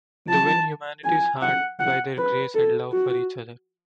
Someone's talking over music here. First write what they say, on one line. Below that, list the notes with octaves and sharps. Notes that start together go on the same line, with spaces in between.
They win humanity's heart by their grace and love for each other.
A5
G#5
F#5
F#5
B4
A4
F#4